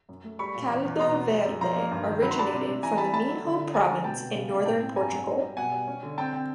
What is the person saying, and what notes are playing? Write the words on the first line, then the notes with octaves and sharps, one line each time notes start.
"Caldo verde" originated from the Minho Province in northern Portugal.
F#2
A3
G3 B5 C#6
A#2
E2
E2
B2 A#5 C6
B3
G3
F#2
F3 A#5 C6
A#3
G2
D#3
F#3 B5
C6
D4 A5 B5
C3
C3
E3 G#5 A#5
G3 A5 B5
A3 A5 B5
F#3
D3
D3
G3 G#5 A#5
G3
B2 G5 A5
B2
C#3
C#3
A2 G5 A5
C4
G2 G#5 A#5
F#3
G3
G3
B2 F#5 G#5
G3
C#4
D3
C4 G5 A5
C4